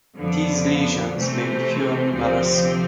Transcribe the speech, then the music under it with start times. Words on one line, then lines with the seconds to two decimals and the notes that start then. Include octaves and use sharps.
These lesions may be few or numerous.
0.16 F2 D3 F3 B3
1.15 C3 E3 A3 C4
2.13 D2 C3 F3 C4